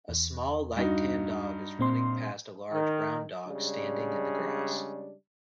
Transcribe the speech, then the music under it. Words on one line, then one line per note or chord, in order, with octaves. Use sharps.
A small light tan dog is running past a large brown dog standing in the grass.
E2
G2 D#4 F#4
A#2 C4 C6
D#3
C#3 G3 G#3 D4